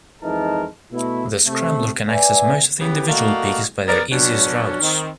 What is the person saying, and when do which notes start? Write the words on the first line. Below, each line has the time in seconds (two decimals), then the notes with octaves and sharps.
The scrambler can access most of the individual peaks by their easiest routes.
0.22 F2 E3 G#3 D#4 A#4 A5
0.92 B2 A3 E4
1.45 C3 A3
2.09 B4 D5 E5 G#5
2.79 C#3 E3 B3 G4
3.08 A3 A#3 D4 F#4 D#5 F5
3.88 B3 A#4 D5
4.11 B2 F#3 C#4 D4
4.81 D#3 C4